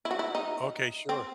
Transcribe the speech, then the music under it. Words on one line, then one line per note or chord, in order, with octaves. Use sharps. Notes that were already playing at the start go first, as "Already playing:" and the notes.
Okay, sure.
E4
F#4
E4
D#4
C4